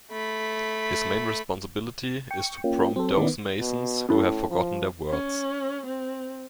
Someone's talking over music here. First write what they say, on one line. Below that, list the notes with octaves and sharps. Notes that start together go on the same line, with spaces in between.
His main responsibility is to prompt those masons who have forgotten their words.
A3 B5
G5 C#6
A#3 C#4 F4
F#3 C4 A4 C5
D#3 B3 C#4 E4 D5
B2
A2 C#4 E4 A4
F3
C#4
C4